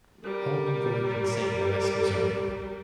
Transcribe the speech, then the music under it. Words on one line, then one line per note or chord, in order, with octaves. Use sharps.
Holman grew up in Saint Louis, Missouri.
G3 A#4